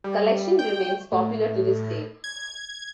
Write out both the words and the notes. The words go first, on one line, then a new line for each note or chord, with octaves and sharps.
The collection remains popular to this day.
G3
G5
A2
G#6